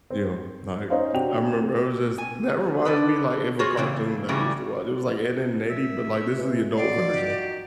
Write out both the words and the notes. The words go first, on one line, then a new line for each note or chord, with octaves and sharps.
Yo, like, I remember it was just that reminds me, like, of a cartoon that I used to watch. It was like Ed, Edd n Eddy, but, like, this is the adult version,
C4
C#4 D#4 C5 C#5 F5
C3 D4 F#4 G5 F7
A3
G#5
D3 A4 B4
F4 F#4 G#4 C5 C#5
A#2 C#3 E3 C4
C#3 E3 F#3 G3 A3
E5
G#3 E4 B4
D#4 F4 F#4 D5 C6
G4